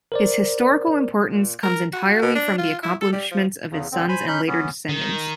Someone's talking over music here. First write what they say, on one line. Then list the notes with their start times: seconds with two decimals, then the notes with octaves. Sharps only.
His historical importance comes entirely from the accomplishments of his sons and later descendants.
0.12 A#4 C5 D5
1.32 A#2
1.63 A#4
1.93 F#4
2.22 B2
2.35 D4
2.58 F4
2.83 E4
3.01 A4
3.13 G3
3.31 F3
3.71 E2 C#3
3.92 D3 C4
4.09 C5 G#5 B5
4.27 C#4 D#4 B5 F#6 G6
4.48 E3 B3 C#4
4.89 D#3